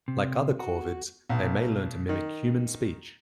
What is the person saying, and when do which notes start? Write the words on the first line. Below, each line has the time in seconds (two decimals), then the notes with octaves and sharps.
Like other corvids, they may learn to mimic human speech.
0.08 C3
0.59 F#4
1.30 B1
2.09 D#3